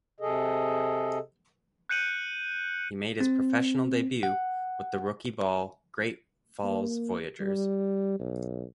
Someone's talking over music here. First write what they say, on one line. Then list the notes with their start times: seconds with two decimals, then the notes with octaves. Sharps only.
He made his professional debut with the rookie ball Great Falls Voyagers.
0.20 C3 G#4 A4 D#5
1.89 F#6 G6 C#7 D#7 F#7
3.21 C4
4.23 F#5
6.64 A#3
7.40 G3
8.20 B1